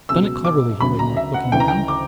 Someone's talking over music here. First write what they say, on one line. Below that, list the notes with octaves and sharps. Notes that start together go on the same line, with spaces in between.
"Done it cleverly," he remarked, looking round.
C#2 B2 F#3 E6
D6
D2 C#3 F#3 B5
A#5
E5
F#5
D2 C#3 E3 G5
A#5
G5
D6